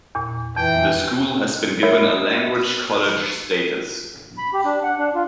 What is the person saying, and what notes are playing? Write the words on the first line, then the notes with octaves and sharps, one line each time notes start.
The school has been given a Language College status.
E2 A#2
F2 E3 G5
F#4 A#4 C#5 E5 B5
B5
G4
D4
F#5
D4
F4